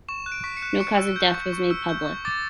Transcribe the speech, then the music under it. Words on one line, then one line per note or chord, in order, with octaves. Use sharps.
No cause of death was made public.
C#6 E7
F#6
D7
C#6 B6
C#7
F#6
C#6 C#7
E6
G6
C#6
C#6
E6
G6
C#6
D6 A6